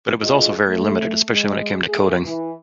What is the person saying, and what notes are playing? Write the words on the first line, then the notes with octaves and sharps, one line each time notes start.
But it was also very limited, especially when it came to coding.
D2 F4 G#4 D#5
A3
G#3
A3 G#4
E3